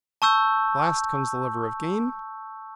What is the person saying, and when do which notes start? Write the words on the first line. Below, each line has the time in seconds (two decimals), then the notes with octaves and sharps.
Last comes the lover of gain?
0.22 A5 C#6 E6 G6